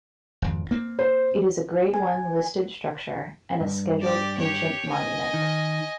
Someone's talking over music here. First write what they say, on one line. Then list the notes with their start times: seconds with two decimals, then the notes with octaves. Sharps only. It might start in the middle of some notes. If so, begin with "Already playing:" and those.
It is a grade one listed structure and a Scheduled Ancient Monument.
0.42 G#1 F2
0.71 A#3 C4
0.99 C5
1.94 G#5
3.61 G2
4.02 G4 D5
4.38 G4 C#5
4.89 D#5 G#5
5.34 D#3